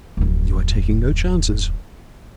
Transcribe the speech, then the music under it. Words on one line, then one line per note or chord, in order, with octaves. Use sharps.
"You are taking no chances."
D1 F2